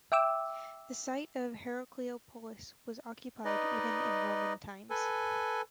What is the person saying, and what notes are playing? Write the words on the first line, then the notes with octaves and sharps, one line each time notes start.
The site of Herakleopolis was occupied even into Roman times.
E5 G5 D6 E6
D#4 B4 D5 D#5
A4 B4 G#5